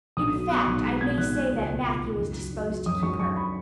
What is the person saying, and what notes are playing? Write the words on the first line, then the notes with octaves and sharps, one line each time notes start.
In fact I may say that Matthew is disposed to keep her.
B1 D#6
F#3
B2 F#6
B1
G#3 B6
B2 G#6
B1 F#6
G#3 F#6
C#2
B2
C#2
C#2
F#2
F#3
F#3
F#3
F#2 D#6
F#2 C#6
F#2 C#6
B5